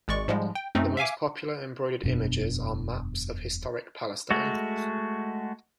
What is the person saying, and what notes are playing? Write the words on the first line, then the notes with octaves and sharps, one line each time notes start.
The most popular embroidered images are maps of historic Palestine.
G#1 G#3 D5 C#6
G#2 F3 G3 G#3
G5
F#2 A3 C4 C#4 D#4
E5 F5 G#5 D6
E1 F#2 B2 D4
G#3 A3 F#4